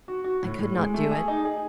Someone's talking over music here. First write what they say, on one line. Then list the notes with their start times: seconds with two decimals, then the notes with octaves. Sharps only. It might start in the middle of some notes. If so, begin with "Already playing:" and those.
I could not do it.
0.08 F#4
0.24 F#4
0.43 A2
0.59 A2
0.76 G#3
0.94 A3
1.11 G#4
1.28 D#4
1.45 G#4